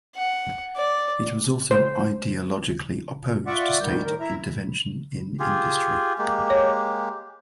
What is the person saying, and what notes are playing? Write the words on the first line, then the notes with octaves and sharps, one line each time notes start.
It was also ideologically opposed to state intervention in industry.
F#5
D5
C5
F4 D5 E5 F#5 C#6 D6
D2 D#3 G3 G6
A2 D#3 A#4
E4 E5 A#5
F4 G4 G#4
G#3 A#3 G4
C#5